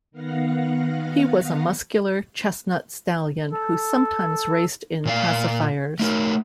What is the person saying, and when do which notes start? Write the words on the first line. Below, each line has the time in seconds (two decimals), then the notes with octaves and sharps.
He was a muscular chestnut stallion who sometimes raced in pacifiers.
0.11 D#3 B3 F5 F#5 A#6
3.52 A4
5.05 A#2 D5 F5
5.99 A3 D#4 A#4